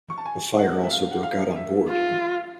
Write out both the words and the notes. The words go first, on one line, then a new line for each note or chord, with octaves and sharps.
A fire also broke out on board.
C#6
A5
G#5
F#5
E5
F5
F#5
F5
E5
F4